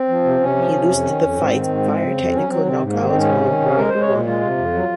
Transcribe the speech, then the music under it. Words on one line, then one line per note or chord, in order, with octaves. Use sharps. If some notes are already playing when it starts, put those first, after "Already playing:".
He lost the fight via technical knockout on round one.
Already playing: C4
F3
C3
C3 C#4
F3
C3
F2
D#3
F2
G#2 C4
D#3
G#2
G#3
C#3
F2
F#3 C#4
F#3 C4
C3 C4
G#2
D#3 A#3
C4
G#2 C#4
C3
D#3
C3
G#3 A#4
G#3 C5
C#5
A#2
G#3 F4
C3
F2
F#3